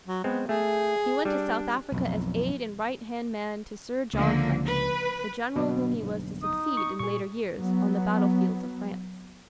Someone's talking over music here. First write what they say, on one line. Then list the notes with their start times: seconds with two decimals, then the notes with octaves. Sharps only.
He went to South Africa as aide and right-hand man to Sir John French--the general whom he was to succeed in later years on the battlefields of France.
0.07 F#3
0.24 G#3 B3 C4
0.49 A3 G#4
1.25 G3 D4
1.92 B1 F2
4.13 C#2 D3 F3 A#3
4.65 B4
5.56 G1 B2 F#3 A#3 D4
6.02 B1
6.42 D#4 D#6
6.77 C#6
6.99 A#2 G#4 C#6
7.55 F#3 B3